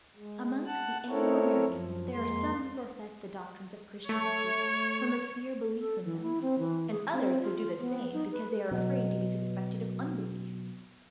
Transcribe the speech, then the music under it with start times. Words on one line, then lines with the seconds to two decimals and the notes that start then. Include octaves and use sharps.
Amongst the Anglo-Americans, there are some who profess the doctrines of Christianity from a sincere belief in them, and others who do the same because they are afraid to be suspected of unbelief.
0.16 G#3
0.67 F#5 A5 F#6
1.09 A3 C4 E4 A4 A#4 C#5
1.66 F#2 F3
2.12 F2 G#3 A#3 C6
4.09 A3 C#5
5.79 A4
6.05 E3
6.22 E4
6.42 C4
6.59 E3
6.91 G#4
7.12 C4
7.42 F4
7.80 B3
8.13 D#4
8.32 B4
8.71 B2 F#3